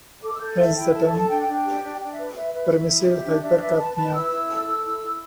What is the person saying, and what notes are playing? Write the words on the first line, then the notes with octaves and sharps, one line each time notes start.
Hence the term, permissive hypercapnia.
A4 D6
E6
A4 G6
E4 E5
E4 G5
A4 A5
A5
A4
A5
D4 G5
G5
D4
G5
G4
D4
D4 G5
E5
B4
D5
B4 E5
B4 E5
E4
E4
G4
D4
D4 E5
B4 E5
B4 A5
B4 A5
E4 E6
E4
A4
A4
E4
E4